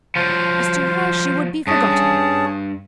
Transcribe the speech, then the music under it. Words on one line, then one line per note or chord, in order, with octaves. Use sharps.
As to her she would be forgotten.
F3 F#3 C5 F5
G2 C#4 G#4 A5